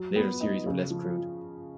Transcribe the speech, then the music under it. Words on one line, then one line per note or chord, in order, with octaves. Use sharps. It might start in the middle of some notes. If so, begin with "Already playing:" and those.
Later series were less crude.
Already playing: F#3
B3
D#4
C#3
F3